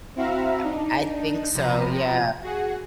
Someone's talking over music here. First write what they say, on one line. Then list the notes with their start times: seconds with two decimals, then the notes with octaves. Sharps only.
I I think so, yeah.
0.16 C4 E4 F#4 E5 F5 A#5
0.63 D4 D#4
1.54 C3 F3 A#5 B5 A#6 D#7
2.42 F#4 G#4 F#5